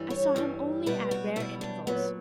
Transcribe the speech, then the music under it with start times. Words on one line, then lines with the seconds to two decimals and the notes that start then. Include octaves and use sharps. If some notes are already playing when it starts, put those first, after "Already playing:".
I saw him only at rare intervals.
Already playing: G2 E3 G3
0.10 C#5
0.36 G2 E3 G3
0.86 B2 G3 B4
1.11 F#4
1.36 B2 G3 E4
1.61 D4
1.87 A#2 F#3 B3